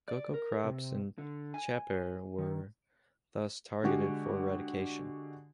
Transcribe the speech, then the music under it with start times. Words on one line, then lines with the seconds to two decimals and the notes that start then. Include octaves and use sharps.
Coca crops in Chapare were thus targeted for eradication.
0.08 D5
0.34 A#4
0.64 C3
1.18 D3
1.54 G#5
2.38 D#3
3.83 D3 G#3 F#4 G4